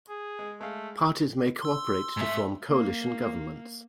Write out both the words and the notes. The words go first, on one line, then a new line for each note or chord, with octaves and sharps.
Parties may cooperate to form coalition governments.
G#4
G#3
G#3 A3 F5
C6 E6
G#2 E5
A#3